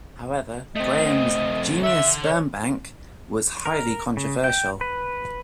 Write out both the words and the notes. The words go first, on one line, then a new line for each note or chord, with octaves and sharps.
However, Graham's "genius sperm bank" was highly controversial.
A3 C4 D#5
A4 E5 F#5
C#5
A#4
C#3
G5
B4